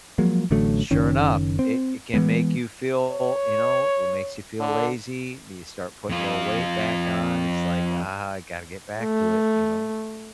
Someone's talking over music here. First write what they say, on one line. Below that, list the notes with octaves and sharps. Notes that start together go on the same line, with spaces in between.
sure enough, it it can make you feel, you know, it makes you feel lazy, you start putting a little weight back on, it's like, "Ah, I gotta get back to it," you know?
F3 F#3 G#3 A#3
A1 D3 F#3 A3
F#1 D#3 C#4
C4
E3 F3 G#3 B3
C#5
D3
F2 F4
A3